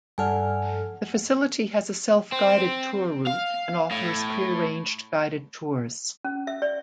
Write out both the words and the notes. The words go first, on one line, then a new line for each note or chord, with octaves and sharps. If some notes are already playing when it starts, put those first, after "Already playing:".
The facility has a self-guided tour route and offers pre-arranged guided tours.
G2 A4 D5 F#5 G#5 F6
C4
F5
A2
C#4
E5
D5